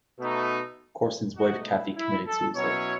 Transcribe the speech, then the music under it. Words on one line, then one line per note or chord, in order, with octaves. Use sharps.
Courson's wife Cathy committed suicide.
B2 A3 D#4
B2 A3 D#4 F#4
E4
E4
A4
B2 F#3 C#4 E4 C#5